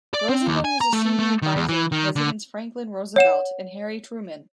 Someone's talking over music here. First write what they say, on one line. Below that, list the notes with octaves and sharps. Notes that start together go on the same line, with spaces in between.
Rosenman was a senior advisor to presidents Franklin Roosevelt and Harry Truman.
D5
C4
D#2
G#5
A#5
A3
A3
D#3
E2
E3
D#3
D3
C#5 F#5 E7